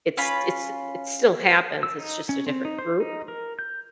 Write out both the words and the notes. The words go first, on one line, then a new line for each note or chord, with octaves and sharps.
it s it s it still happens, it's just a different group.
C#4 F4 B5
E6
D#4
C#4
C4
D#4
C5
D#4
A#4
G6